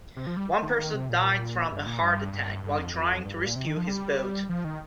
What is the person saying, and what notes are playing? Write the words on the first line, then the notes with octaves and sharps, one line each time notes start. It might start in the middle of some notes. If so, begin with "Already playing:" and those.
One person died from a heart attack while trying to rescue his boat.
C3
F3
G3
D#3
D#3
C3
A#2
G2
A#2
G2
G2
G2
F2
F2
G2
G2
A#2
C3
D#3
F3
G3
F3
D#3